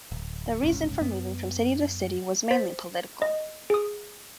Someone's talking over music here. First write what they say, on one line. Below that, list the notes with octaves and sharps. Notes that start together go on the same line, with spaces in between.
The reason for moving from city to city was mainly political.
D1
F#1 C2 G#2 C#4
F#2 B3
C5 A6 B6
D#5
G#4 D#6